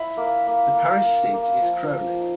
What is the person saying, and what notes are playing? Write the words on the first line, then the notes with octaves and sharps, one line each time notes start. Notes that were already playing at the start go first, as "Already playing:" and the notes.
The parish seat is Crowley.
Already playing: E4 B5
A#3
A#3
A#3
A#3
A#3
F3
F3
D#4